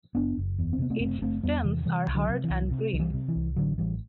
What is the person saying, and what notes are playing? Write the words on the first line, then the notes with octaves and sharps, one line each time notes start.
Its stems are hard and green.
F#1 B3 D4
F#1
E2
C4
C3 B3
A3 C4
F#1 A3 C4
F#1 A3 C4
E2 G3 B3
C3 E3
C3 E3 G3
C2
D3 F#3
C3
E3
C2
C3
C2 F#3
E3 G3
C3
E3
C2
A1 D3 F#3
A1 E3 G3